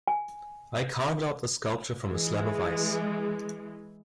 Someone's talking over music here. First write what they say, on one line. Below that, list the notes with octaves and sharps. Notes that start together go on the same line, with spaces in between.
I carved out this sculpture from a slab of Ice.
G#5
E3 G#3